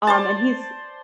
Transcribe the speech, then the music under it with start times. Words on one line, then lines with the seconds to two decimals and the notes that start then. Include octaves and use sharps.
um, and he's
0.07 C5 D5 A5